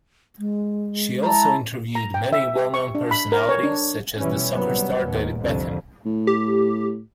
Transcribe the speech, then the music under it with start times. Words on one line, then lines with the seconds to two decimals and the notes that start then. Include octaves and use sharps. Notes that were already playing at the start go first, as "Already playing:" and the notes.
She also interviewed many well known personalities such as the soccer star David Beckham.
0.39 G#3
1.24 E4 A5 A#5
1.95 A#5
2.14 G5
2.33 E5
2.56 G4
2.74 C#6
2.95 D4
3.11 B5
3.32 A#4
3.49 C#5
3.63 D4
4.18 B2 E3 G3 C#4
4.51 G#1 C3 F#3 G3 B3
5.05 D#2
5.41 C2 F2 D3
6.06 A2
6.27 G4